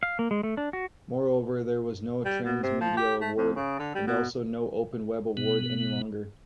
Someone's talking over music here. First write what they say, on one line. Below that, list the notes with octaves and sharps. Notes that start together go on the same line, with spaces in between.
Moreover, there was no transmediale Award and also no Open Web Award any longer.
F5
A#3
G#3
A3
D4
F#4
G3
B2
C3
F3
G4
A3
F2
C#3
D3
G3
B2
B2 B3